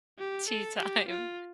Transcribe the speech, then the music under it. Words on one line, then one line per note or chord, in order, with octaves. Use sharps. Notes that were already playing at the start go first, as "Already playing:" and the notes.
tea time.
G4
A4
G4
F4